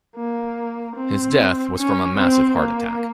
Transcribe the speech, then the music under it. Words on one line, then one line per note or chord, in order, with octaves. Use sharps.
His death was from a massive heart attack.
A#3
C4
C#4
C4
A#3